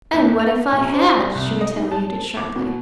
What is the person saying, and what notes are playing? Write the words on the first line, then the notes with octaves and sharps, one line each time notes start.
"And what if I had?" she retaliated sharply.
D#2
F7
A#1
C5
G3
C2
D#5
G#2
A5
D6
B2